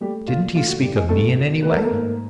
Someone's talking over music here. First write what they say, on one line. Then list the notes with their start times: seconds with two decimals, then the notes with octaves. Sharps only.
"Didn't he speak of me in any way?"
0.01 G3 A3 G4
0.27 A#2 F4
0.55 A3 F4
0.68 F#4
0.82 A2 G3 G4
0.96 G#3 G#4
1.09 C2 A3 A4
1.36 B2
1.62 A3 B4
1.70 A#4
1.77 A4
1.84 A#3 A#4
1.90 G#2